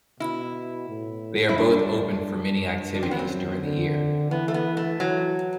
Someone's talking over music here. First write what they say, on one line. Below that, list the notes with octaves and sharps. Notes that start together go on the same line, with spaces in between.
They are both open for many activities during the year.
B2 E4
A2
E4
G2 D4
F#2 D4
C4
B3
C4
D3
E3 B3
A3
B3
A3
E3 F#3